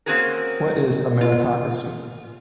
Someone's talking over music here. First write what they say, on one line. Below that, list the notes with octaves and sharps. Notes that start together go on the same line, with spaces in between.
What is a meritocracy?
A#3 C4 C#4 F#4 G#4 A#4
F4